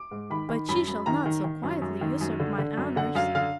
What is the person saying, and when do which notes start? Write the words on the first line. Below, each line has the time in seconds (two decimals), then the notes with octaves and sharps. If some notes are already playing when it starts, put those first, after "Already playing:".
But she shall not so quietly usurp my honors.
Already playing: D6
0.11 G#2
0.30 D#3 B5
0.49 D#3
0.69 F#2 B5
0.88 F#2
1.06 D#3 A#5
1.25 D#3
1.44 D#3
1.63 F#2
1.82 F#2
2.01 D#3
2.21 F#2
2.40 D3
2.58 D3
2.77 F#2
2.96 D3 F#5
3.15 F#2 F5
3.35 D3 F5